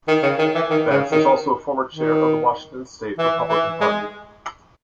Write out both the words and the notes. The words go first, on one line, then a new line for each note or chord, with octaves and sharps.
Vance is also a former chair of the Washington State Republican Party.
D#3
C#3
D#3
E3
D#3
C#3
D#3
D#3
E3
E3
G#3